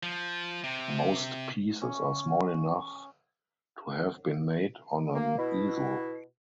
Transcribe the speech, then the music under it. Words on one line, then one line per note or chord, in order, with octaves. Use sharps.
Most pieces are small enough to have been made on an easel.
F3
C3
C#4
A#3
B2 E4